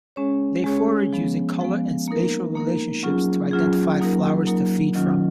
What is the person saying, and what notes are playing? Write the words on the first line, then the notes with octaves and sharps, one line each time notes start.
They forage using colour and spatial relationships to identify flowers to feed from.
G#3 C#4 G#4 C#5
G#3 C#4 G#4 C#5
F3 G#3 B3
F3 G#3 B3
A#3 D#4 A#4
A#3 D#4 A#4
F#3 C#4 F4 G#4
F#3 C#4 F4 G#4
F#3 A#3 D#4 A#4
F#3 A#3 D#4 A#4
D#3 F#3 C#4 F4